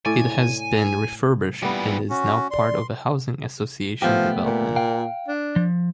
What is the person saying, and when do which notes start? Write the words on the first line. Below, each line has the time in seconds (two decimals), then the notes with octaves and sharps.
It has been refurbished and is now part of a housing association development.
0.06 A2 D5 G#5
1.62 A#2 E3 G3 B3
2.10 C#4 F#4
2.51 D5 C6
4.02 F3 A3 B3 G4
4.45 A#2
4.76 F5 G5
5.28 D4
5.56 F3